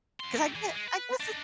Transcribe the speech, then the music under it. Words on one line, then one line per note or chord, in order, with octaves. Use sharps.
'Cause I get I guess it's
F2 C6
A3 G4
E3 G#4
G#3
B4
D4 D#4